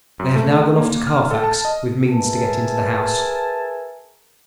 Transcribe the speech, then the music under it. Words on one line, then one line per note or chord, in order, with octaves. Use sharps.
They have now gone off to Carfax, with means to get into the house.
F#2
A3
A#3
F6
A4
A5
D#5
G#4 A#4 B4 E5 G#5 A5